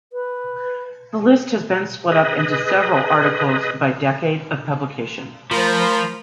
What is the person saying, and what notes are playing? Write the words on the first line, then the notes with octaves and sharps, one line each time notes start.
The list has been split up into several articles by decade of publication.
B4
G#4 B4 D#5
F3 A3 A#4 C5 A#5 B5